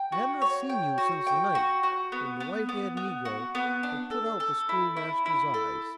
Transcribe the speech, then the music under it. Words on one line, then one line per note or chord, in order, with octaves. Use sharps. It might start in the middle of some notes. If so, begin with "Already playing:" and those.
I had not seen you since the night when the white-haired negro had put out the Schoolmaster's eyes.
Already playing: G5
F#4
C#5
G5
F#4
G5
F#4
F#4
B3
B3
B3
B3
F#4
B3
D4
A4
A4
E4
E4
E4
A4